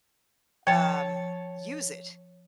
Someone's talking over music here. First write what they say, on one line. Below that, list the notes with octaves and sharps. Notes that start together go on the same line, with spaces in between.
um, use it
F3 C#5 G5 A5